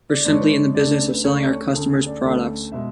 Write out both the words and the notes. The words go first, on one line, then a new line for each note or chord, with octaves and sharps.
We're simply in the business of selling our customers products.
D5
G#2 G#3 D4 D5
C#5
B4
C#5
D2 D3 A3 C#4 D5
D5
B4
D2 D3 A3 C#4 C#5
D5
C#5
D2 D3 A3 C#4 G#4
G#4
D5
D2 D3 A3 C#4
B2 G#3 E5